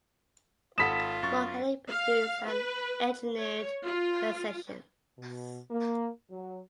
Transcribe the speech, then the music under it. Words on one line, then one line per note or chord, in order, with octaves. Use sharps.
Mark Henning produced and engineered the sessions.
G#1 F4 A4 F#5 B5 D#6 B6 E7
F#2 C#6 A6
F5
B4
C#5
F4
B2
A#3
F#3